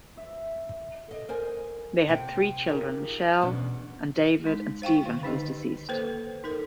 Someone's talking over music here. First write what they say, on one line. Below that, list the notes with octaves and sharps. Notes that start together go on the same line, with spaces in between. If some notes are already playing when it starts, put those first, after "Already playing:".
They had three children, Michelle and David, and Stephen, who is deceased.
E5
A4 D#5
A#4 C5 D#5 G#5
C3 C4 G5
D#4 F4 G4 G#4 A#4
E2 B2 C#4 D4
G#3 D#4
C5 F5 G5 C#6
D#3
D3 D#4 G4 D#5
A#3 A4 B4 C5
D#4 A4 A#4